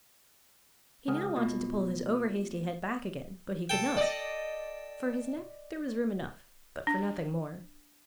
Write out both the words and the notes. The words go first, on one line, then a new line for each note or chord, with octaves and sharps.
He now wanted to pull his over-hasty head back again, but he could not. For his neck there was room enough, but for nothing more.
C#2 F#5 D#6 F6
B2 A3 B3 F4
A4 G5
D5 D#5
D4